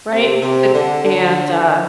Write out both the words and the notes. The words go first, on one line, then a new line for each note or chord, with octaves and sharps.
right, eh and, uh,
C3
C3
D3
D3